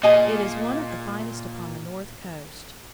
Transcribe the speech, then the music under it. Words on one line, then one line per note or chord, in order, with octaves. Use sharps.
It is one of the finest upon the north coast.
A#2 G#4 D#5 G#5 D#6